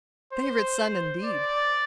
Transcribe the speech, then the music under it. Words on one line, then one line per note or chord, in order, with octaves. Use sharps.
Favorite son, indeed!
C5
D5